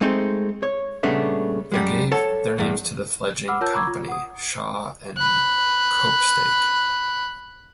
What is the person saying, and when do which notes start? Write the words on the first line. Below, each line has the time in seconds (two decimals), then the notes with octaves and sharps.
They gave their names to the fledgling company - Shaw and Copestake.
0.01 G#3 A3 C4 D#4 C5
0.63 C#5
1.03 A#2 C#3 G3 A3 B3 D4
1.72 F#2 G3 G#3
2.11 A4 C#5 F#5 A5
2.59 E2 G2
3.48 F#5 B5 D6 E6 F6
3.61 F4 A#4 C#5 A5 E6 G6
3.74 A#5 B5 C#6 D6 E6 G#6
3.87 F4
4.08 F#5 D#6
5.18 B5 F#6